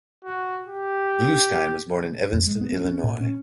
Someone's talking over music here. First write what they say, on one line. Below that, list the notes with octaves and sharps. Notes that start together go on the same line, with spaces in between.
Bluestein was born in Evanston, Illinois.
F#4
G4
F2
G#3
B3
C#4
C#4
A#2
C#4